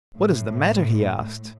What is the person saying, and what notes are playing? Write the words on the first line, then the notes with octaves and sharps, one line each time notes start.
"What is the matter?" he asked.
A2